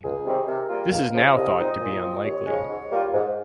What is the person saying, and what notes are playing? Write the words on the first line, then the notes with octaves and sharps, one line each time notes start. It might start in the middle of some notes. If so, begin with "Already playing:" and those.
This is now thought to be unlikely.
C#2 G#4
C3 D#3 G3 C4
C3 A#4
G3 A#3 F4
C#2 F5
C#3 F3
C2 D#5
A#2 G#3 C4 D#4
A#2
F3 C4
D#2 C#5
C#3 F3 G#3 C#4
G#2
G3 A#3 F4
G#2